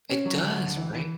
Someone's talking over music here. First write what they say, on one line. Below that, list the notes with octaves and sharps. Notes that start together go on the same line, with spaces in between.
It does, right?
C#4
F#3
D3
D2
E3
E3